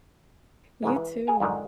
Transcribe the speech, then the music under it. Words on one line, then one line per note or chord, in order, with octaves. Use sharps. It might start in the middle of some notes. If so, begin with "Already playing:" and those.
You too.
G#2 C#3 E3 G#3
E3
G#4 A#4 G#5 A#5
F2 G#2 D3 D#3